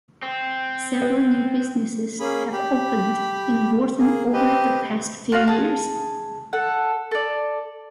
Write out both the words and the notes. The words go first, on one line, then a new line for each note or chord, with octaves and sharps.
Several new businesses have opened in Lorton over the past few years.
C4
B3
A#3 C#4 G#4 B5
G4 B5
A#3 G#4
C4 G4 B4 D#5
F4 F#4 F5
G#4 A5
A4 F#5
A4 D5